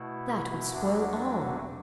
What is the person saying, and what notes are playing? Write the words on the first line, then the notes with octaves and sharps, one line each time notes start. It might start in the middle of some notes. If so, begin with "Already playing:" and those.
'That would spoil all.
Already playing: B2 A3 E4
E2 D3 F#3 A3 D4